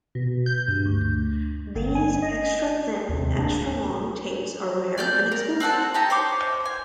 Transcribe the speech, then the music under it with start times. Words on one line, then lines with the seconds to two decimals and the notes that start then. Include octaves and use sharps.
These extra-thin, extra-long tapes are rare and expensive.
0.15 B2
0.46 G6
0.68 G2
0.86 D2
1.76 G1
1.95 G#5
2.22 D#5
3.09 D#2 C3
3.37 D1 A#3 D4
4.98 D5 F6 G6
5.32 A#4
5.60 C4 F#4 A4 A5
5.94 D#4 G4 A5 A#5
6.10 C5 C#5 D6
6.65 G#5